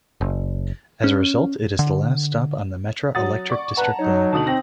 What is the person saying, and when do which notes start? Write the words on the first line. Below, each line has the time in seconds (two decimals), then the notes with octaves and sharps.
As a result, it is the last stop on the Metra Electric District line.
0.21 F#1
1.04 C#4
1.79 D3
3.15 F#3 F#5 D#6 A6
3.50 D5 C#6
3.77 B4 F#5 A5 A#5
3.99 F#3 D#4 C#5
4.32 D2 B2 D3 A5 D#6 F#7
4.47 C4 A#6